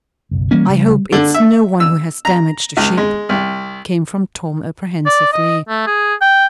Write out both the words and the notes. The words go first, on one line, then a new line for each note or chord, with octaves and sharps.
"I hope it's no one who has damaged the ship," came from Tom, apprehensively.
F#1 B1
E3 G3 A#3 C#4
C#3
D3
E5
E6
A#5
C#2
G#3
C2
D5
D#5
A3
G#4
G5